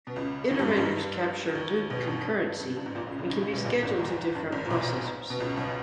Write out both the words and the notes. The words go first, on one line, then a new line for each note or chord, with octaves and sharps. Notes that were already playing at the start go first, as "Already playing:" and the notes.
Iterators capture loop concurrency and can be scheduled to different processors.
B2
C#2 C#3
C#3
D#2 D#3
G2 G3
G#2 G#3
G2 G3
D#2 D#3
B1 B2
G2
G2
G2
G2
G#2
A#1 A#2
C#2 C#3
C#2 C#3
D#2 D#3
C#2 C#3
B1 B2
A#1 A#2
G#1 G#2
E2
G2
G#1 G#2
A#2
B1 B2
B2
C#2 C#3
B1 B2